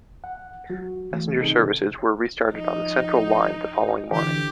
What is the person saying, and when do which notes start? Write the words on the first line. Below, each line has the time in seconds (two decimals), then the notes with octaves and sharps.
Passenger services were restarted on the Central line the following morning.
0.24 F#5
0.70 F#3 F#4
1.12 E3 A3
1.40 C3 D#3 C4 D#4 G#4 A4
2.53 F3 D#4
4.12 D3 E3 G4